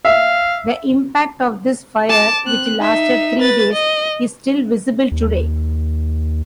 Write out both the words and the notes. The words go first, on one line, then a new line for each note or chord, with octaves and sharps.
The impact of this fire, which lasted three days, is still visible today.
E5 F5
A5 D6
C4 F#6
D#4 E5
B4 A6
D#5
D#2